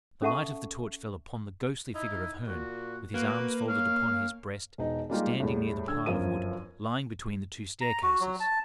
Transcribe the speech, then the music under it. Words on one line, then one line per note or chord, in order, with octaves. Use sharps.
The light of the torch fell upon the ghostly figure of Herne, with his arms folded upon his breast, standing near the pile of wood, lying between the two staircases.
C#4 A4 E5 F#5 A5 C#6
D#4 E4
A#2 F#4
A#3 F#4 B4
C#4 F5
E1 D#4
G3 G#3 A#3 D#4 F4 G4
E2 A2 G3
D3 E6 G#6
G1 F#2 F3 A#4 D#7
A#5
F#4
F#3
A5